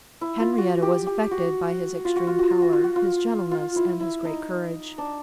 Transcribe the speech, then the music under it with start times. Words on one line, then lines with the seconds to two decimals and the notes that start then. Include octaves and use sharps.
Henrietta was affected by his extreme pallor, his gentleness, and his great courage.
0.21 E4
0.40 F4
0.58 F#4
0.82 G4
1.07 G4
1.31 F#4
2.05 F4
2.16 F#4
2.27 F4
2.39 F#4
2.50 F4
2.62 F#4
2.73 F4
2.84 F#4
2.96 F4
3.51 F4
3.76 E4
4.00 E4
4.25 D#4
4.98 D4